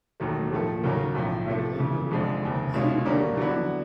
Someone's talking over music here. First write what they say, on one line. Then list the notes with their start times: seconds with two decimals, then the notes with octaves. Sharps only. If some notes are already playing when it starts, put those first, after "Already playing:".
The milk-maid cried angrily; "see what you have done!"
0.20 E1 D#2 D#3 F#3 A3
0.52 A2 F3 A3
0.83 D#2 C#3 F#3 A#3 C#4
1.15 B1 A2 F3
1.47 C3 F3 A3
1.79 E2 C#3 E3
2.11 F1 F2 D3 F3 G#3
2.42 F1 D#2 C#3
2.74 C2 B2 G#3 C#4 F4
3.06 D#2 D3 G3 A#3 C#4
3.37 D3 F#3 B3 E4